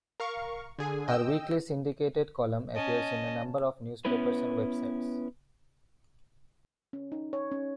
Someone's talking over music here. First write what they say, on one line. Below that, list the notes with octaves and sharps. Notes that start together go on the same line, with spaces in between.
Her weekly syndicated column appears in a number of newspapers and websites.
A#4 F5 C#6
D3 G#4 G#5
D#5 G5 E6
C#4 D#5 A5
B3 C#4 E4 B4
C#4
D#4
C#5
C#4